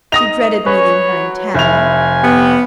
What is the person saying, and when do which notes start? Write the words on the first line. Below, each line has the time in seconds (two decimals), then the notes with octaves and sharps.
She dreaded meeting her in town.
0.12 D#4 D#6 A#6 F7
0.66 C#4 B4 C#5
1.09 F#3
1.54 F1 E4 G#5 F7
2.23 B3 G4